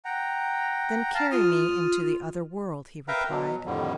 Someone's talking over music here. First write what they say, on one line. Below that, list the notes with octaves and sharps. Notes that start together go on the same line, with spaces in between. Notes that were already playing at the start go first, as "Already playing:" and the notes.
'Then carry me into the other world,' he replied.
F#5 G5 A#5
F5 A5 A#5
F4 D#6 F6
A#4 B4 E5 F5 G5 A#5
B2 F#3
F2 A2 D3 D#3 G3